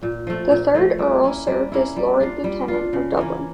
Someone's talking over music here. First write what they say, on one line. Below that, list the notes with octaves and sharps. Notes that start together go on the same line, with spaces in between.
The third Earl served as Lord-Lieutenant of Dublin.
A#2
F3 A3
A#2
F3 A3
G3
A#3 C#4 E4
G3
A#3 C#4 E4
G3
D4 F4
G3
D4 F4
C#3
E3 A#3 C#4